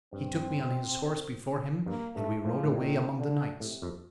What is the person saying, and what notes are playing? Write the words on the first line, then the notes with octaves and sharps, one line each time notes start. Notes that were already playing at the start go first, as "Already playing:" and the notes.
He took me on his horse before him and we rode away among the knights.
G2 C4
G2 A#3
G2 A3
A2 F3
A2
A#2 D#3
D3
A2 C3
F2